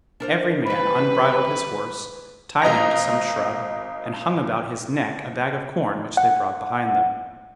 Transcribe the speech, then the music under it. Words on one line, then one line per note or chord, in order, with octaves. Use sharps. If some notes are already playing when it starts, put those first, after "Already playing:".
Every man unbridled his horse, tied him to some shrub, and hung about his neck a bag of corn which they brought behind them.
D4 A#4 C5
E3 G3 B4
G#1 D#5 A#5 A#6
F#5